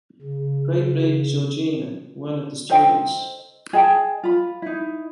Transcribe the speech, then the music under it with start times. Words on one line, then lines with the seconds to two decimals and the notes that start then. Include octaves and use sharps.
Wright played Georgina, one of the students.
0.22 C#3
2.70 A4 C5 D#5 G5
3.73 G#4 D#5 G5 A5
4.23 F4 B5
4.62 D#4 E4